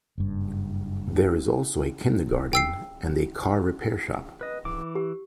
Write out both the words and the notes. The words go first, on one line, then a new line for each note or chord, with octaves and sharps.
There is also a Kindergarten and a car repair shop.
F#1 G2
G5 E6 C7
B4 D#5
E3 D6
G4